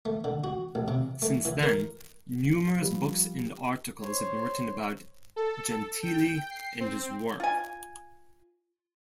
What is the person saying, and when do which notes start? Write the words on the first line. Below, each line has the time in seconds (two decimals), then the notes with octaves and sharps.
Since then, numerous books and articles have been written about Gentili and his work.
0.05 A3
0.24 D3
0.44 F#4
0.75 A1
0.88 C3
1.22 A3
1.45 E3
1.63 A#4
2.78 F3 G3
4.01 C5 C#5
5.36 A4
6.03 G5
6.51 C7
6.80 C4
7.40 F4 G#5